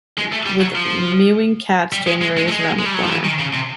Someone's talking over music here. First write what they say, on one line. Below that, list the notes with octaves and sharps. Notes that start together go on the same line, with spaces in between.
With mewing cats, January is around the corner.
G#3
A3
G3
F#3
F3
G3
G#3
G#3
G#3
A3
G#3
G#3
G3
F#3
F3
E3
D#3
C#3
C3